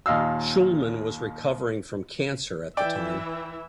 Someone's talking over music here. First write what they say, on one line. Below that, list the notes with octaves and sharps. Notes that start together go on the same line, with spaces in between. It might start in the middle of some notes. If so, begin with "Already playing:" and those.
Shulman was recovering from cancer at the time.
D#2 A#2 D#5 F5 E6
E3 D5 E5 G5